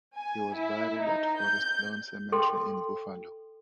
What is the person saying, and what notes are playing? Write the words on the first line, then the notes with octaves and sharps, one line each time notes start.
He was buried at Forest Lawn Cemetery in Buffalo.
G#5
E4
D#4
G6
A4 G5 C6